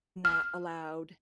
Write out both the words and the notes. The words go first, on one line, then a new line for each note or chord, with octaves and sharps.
not allowed
F6